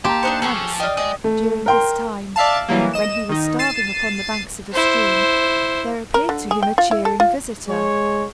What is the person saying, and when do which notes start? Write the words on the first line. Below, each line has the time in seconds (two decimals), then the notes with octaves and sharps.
Once, during this time, when he was starving upon the banks of a stream, there appeared to him a cheering visitor.
0.05 A#3 G4 G5 A5 A#5 C6
0.23 D4 D#4 C5 F#6 C#7
0.42 F3 C#4 G#4 A4
0.80 D5 D#5 F5 G5
0.97 G#3 D#5 D#6
1.24 A3
1.66 A#4 G5 C6
2.36 D5 E5 F5 A5
2.68 E3 F#3 G3 A#3
2.93 D#5 E7
3.29 D#3 D#4
3.59 A6 C7 D#7 E7
4.72 E4 C5
6.14 A#4
6.29 D3
6.51 G#4
6.63 G5
6.78 F4
6.91 E4
7.05 A4
7.20 F4
7.68 G#3 C#5